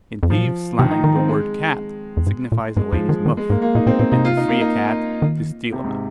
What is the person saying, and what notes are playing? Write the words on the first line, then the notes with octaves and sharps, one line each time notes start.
In thieves' slang the word "Cat" signifies a lady's muff, and "to free a cat" to steal a muff.
F2
G#2 F3
A#2
C3
C3 D#3
D#4
D#3 D#4
C4
G#3
F2
G#2
A#2
G#2 G#3
F2 F3
D#3 G#3
D#3
G#3
G#2 A#3
A#3
A#2 D#4
A#2 C4
A#2 C4
C3 D#4
F4
D#4
A#3
D#4
D#3
C3
G#2